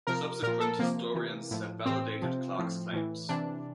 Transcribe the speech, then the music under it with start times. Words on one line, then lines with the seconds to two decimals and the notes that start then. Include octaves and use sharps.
Subsequent historians have validated Clark's claims.
0.07 C3 F3 A#4
0.42 A#2 F3 A#4
0.60 A4
0.79 C3 F3 A#3
1.14 C3 E3
1.51 A2 F3
1.86 A2 E3 C4
2.22 C3 F3
2.58 A2 F3
2.93 A2 E3
3.29 C3 E3 D4